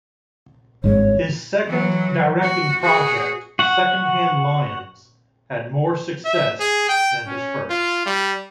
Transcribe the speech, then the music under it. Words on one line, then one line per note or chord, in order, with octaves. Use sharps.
His second directing project, "Secondhand Lions" had more success than his first.
G#1 G2 G#3 C#5
E3 F#3
F#4
F#4 G#4
F#4 F#5
E5
G#4
G5
C#4
F4
G3